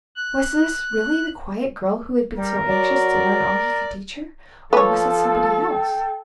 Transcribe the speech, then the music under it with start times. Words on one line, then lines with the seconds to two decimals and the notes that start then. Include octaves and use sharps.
Was this really the quiet girl who had been so anxious to learn all he could teach her, or was it somebody else?
0.16 F#6
2.36 G3 A#4
2.68 F#3 D5
4.73 F3 A4 B4 C#5
5.71 G5